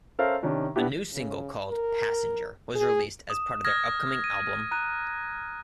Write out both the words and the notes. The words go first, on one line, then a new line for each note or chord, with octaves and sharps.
A new single called "Passenger" was released as part of their upcoming album.
C#4 A4 A#4 C5 E5 F5
C3 D#3 C#4 D4
B3 D4 E4 G4
C#3
A#4
G#4
D#6 E7
D#6 F6 G#6 A#6
D#7
A#5 F#6 D#7